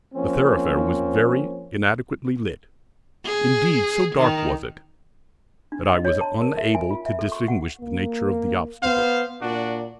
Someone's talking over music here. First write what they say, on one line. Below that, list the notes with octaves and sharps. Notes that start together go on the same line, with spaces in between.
The thoroughfare was very inadequately lit; indeed, so dark was it that I was unable to distinguish the nature of the obstacle.
F3 A#3 C4 C#4
G#4
D#3
D4
D#5
C#5
A5
A#4
E5
G#5
F4
E5
A4
C#6
F#5
A#3
B3 C5 F5
A#2 D4 F#4